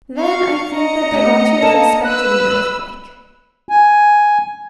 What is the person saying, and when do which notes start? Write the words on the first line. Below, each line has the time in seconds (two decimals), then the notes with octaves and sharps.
Then I think that they ought to have expected an earthquake.
0.18 F5 C#6
0.73 D#5 A#5 C#7
1.12 A3 C#4 G4
1.62 A#3 D4 A4 A5
2.04 B4 E6 F#6
3.69 G#5